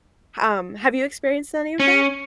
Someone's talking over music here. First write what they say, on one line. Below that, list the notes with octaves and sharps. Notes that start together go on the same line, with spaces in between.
H um, have you experienced any of that?
C#4